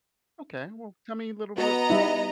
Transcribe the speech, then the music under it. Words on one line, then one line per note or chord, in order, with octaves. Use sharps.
Okay. Well, tell me a little bit
B3 F#4 D#5 A#5
G3 D#4 E4